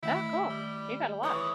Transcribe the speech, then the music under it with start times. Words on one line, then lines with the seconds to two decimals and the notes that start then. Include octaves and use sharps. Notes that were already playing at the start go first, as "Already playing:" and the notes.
Oh, cool. You got a lot.
0.03 D#3 A3 E4
0.50 G3
1.23 E3 C#5 D#6